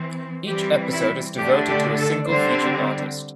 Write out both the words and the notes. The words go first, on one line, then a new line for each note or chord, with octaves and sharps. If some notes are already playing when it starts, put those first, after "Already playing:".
Each episode is devoted to a single featured artist.
Already playing: E3 C4
E3 G3 C4 G4
E4
D3 A3 D4 G4
G4
A4
D3 G3 C4 C5